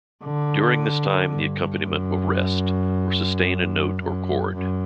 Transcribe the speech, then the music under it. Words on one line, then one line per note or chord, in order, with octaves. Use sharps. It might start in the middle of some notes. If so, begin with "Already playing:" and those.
During this time the accompaniment will rest, or sustain a note or chord.
D3
G2
F#2
F#2
F#2